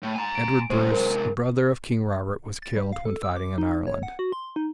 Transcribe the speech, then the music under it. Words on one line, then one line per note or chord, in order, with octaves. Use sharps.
Edward Bruce, the brother of King Robert, was killed when fighting in Ireland.
A2
G#5 A#5
D7
C3 G#3 C5
A#4
A6
G3
F5
A4
E6
D6
D#4
C#5
F#5
F#4
C6
D#4